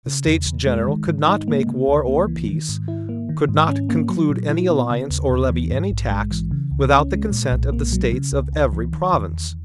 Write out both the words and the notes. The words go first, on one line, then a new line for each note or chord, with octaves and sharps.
The States General could not make war or peace, could not conclude any alliance or levy any tax, without the consent of the States of every province.
C#3
E2
E2
G#3
D#3
G#2
D#4
A#3
C#3
C#2
A#3
E3
D#3
G#2
E4
A#3
D#3
G#2
C#4
A#3
F#3
A#2
E4
B3
C#3
D#2
D#2
E3
G#2
A#1
G#3
E3
C#3
C#2
C#4
G#3
A#2
B1
A#3
F#3
C#3
C#2
C#2
E3
D#3
E2
E2